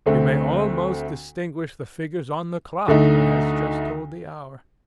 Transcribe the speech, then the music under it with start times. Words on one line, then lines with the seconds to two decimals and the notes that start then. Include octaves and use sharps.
You may almost distinguish the figures on the clock that has just told the hour.
0.06 D2 D3 A3 C4
2.88 D2 D3 A3 D#4